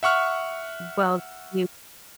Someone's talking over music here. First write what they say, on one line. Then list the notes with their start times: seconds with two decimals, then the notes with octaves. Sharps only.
Well, you
0.03 E5 F#5 C#6 F6